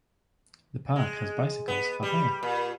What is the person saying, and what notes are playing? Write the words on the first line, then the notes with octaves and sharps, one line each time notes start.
The park has bicycles for hire.
G#3
B3
G3
A#2